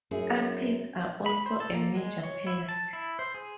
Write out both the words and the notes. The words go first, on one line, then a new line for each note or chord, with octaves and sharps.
Aphids are also a major pest.
F#2 A3 E4 G#4
B5
C5
A4
A#3
G#3
C#5
E4
A5
E4
C5
G#4